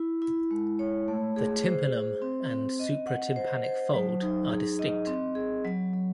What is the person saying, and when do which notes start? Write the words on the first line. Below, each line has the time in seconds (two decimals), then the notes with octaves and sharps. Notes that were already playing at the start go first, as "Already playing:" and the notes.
The tympanum and supratympanic fold are distinct.
Already playing: E4
0.22 E4
0.51 G#3
0.79 C#5
1.08 A3
1.36 G#4
1.65 C5
1.93 C5
2.22 C4
2.51 C4
2.79 D#5
3.07 F#5
3.36 C5
3.64 C5
3.94 F#3
4.22 D#4
4.50 G#4
4.79 D#5
5.07 C4
5.35 G#4
5.65 F#3
5.94 F#3